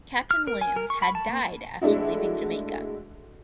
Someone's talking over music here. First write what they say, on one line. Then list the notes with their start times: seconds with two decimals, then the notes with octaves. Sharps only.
Captain Williams had died after leaving Jamaica.
0.31 F6
0.47 A#4
0.61 G#5
0.76 A#4
0.90 C#6
1.02 B5
1.15 A5
1.29 A#3
1.81 G#3 A3 D4 E4 F#4